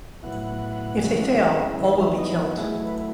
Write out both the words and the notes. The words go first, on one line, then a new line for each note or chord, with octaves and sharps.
If they fail, all will be killed.
A2 F#3 B3 E4 F#5
C#3 G#3 C#4 E4
E3 B3 D#4 E5
E5
D#5
F#4
F#4
F#3 A3 E4 G#4
B4